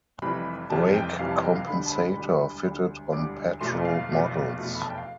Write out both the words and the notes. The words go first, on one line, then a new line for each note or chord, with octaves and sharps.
Brake compensator fitted on petrol models.
F1 F2 C3 E3 G3 B5
F1 F2 C3 E3 G3 A5
G5
F1 F2 C3 E3 G3 F5
A5
G5
F5
E1 D2 D3 G3 B5
A5
B5
E1 D2 D3 G3
E1 D2 D3 G3
E1 D2 D3 G3 D6
F1 E2 B2 A3 C6
F5
F1 E2 B2 A3
F1 E2 B2 A3
B5
A5
G5
F5